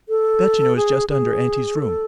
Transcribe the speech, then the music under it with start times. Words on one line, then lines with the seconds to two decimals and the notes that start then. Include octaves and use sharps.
That you know is just under auntie's room.
0.09 A4
0.76 G#4
1.09 G#4
1.75 A4